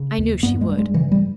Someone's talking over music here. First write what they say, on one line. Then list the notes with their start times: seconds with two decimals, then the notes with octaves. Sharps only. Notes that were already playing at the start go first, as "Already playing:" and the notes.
I knew she would.
Already playing: C#3
0.18 D#2
0.43 G2 B3
0.61 G#3
0.69 G2
0.78 G#3
0.94 C#3 E3
1.12 G3